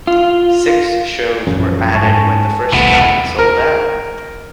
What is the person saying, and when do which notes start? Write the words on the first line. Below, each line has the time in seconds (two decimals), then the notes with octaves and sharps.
Six shows were added when the first nine sold out.
0.07 F4
1.47 A#1 F#2 F3 F#3 C#4
1.95 G#2 G#5 A5 C#6
2.73 E1 C2 A3 B3
3.39 A#4